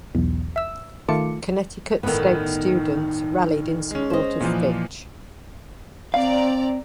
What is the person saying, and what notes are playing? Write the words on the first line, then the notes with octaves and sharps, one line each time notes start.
Connecticut State students rallied in support of Fitch.
B1 E2
E5 E6
D#3 A3 F4 A5 D6 C#7
G1 A2 D#3 B3
G#3 C#4
C5 D#5
A#2 E3 F3
C4 D5 F5 A#5